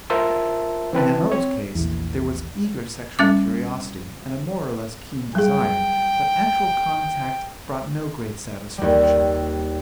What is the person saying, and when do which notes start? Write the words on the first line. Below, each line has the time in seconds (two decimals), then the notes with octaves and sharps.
In M.O.'s case there was eager sexual curiosity, and a more or less keen desire, but actual contact brought no great satisfaction.
0.10 F4 A#4 C5 E5 A5 E6
0.93 E3 C4 B4 A5
1.32 C4 C#5
1.75 A#1 E2
3.19 G3 C#4 D6
5.35 F#3 G3 G#4 G5
8.78 D#2 G3